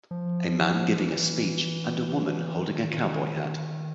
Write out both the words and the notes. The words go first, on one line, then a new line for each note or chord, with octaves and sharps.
A man giving a speech, and a woman holding a cowboy hat.
F3
E3
D#3